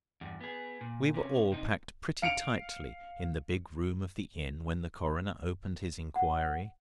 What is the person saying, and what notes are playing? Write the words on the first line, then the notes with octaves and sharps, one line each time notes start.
We were all packed pretty tightly in the big room of the inn when the coroner opened his inquiry.
E2 G2
B3 G#4
A#2
C3 C#4
C3 D#4
F5 C#7 D7 F7
F#5